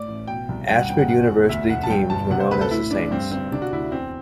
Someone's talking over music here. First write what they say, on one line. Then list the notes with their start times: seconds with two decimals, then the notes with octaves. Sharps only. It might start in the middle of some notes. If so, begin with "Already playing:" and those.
Ashford University teams were known as the Saints.
Already playing: A2 D5
0.08 A1
0.27 B2 G5
0.49 C2
0.68 G2 G5
0.79 F#5
0.89 G1 G5
0.98 F#5
1.08 C3 F#5
1.30 E2
1.49 D2 E5
1.70 E1 F#5
1.83 A5
1.90 G2 G5
2.10 G1 A5
2.30 C3 F#5
2.40 C5
2.51 D2 B4
2.61 A4
2.71 A2 E4
2.91 A1 D4
3.11 G2 C4
3.31 G1 C4
3.52 C3 D4
3.62 F#4
3.72 D2 E4
3.92 E2 C4